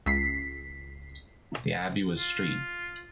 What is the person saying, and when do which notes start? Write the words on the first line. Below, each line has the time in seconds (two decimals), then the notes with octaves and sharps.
The abbey was St.
0.06 C#2 B6 C7
2.19 F4